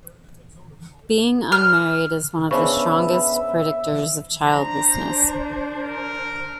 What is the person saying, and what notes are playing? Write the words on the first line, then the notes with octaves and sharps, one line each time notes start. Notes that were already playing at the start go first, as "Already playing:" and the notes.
Being unmarried is one of the strongest predictors of childlessness.
F6
C#3 B3 C#4 D4 C5 E5 B5 C#6
D4 C5 A#5
A#4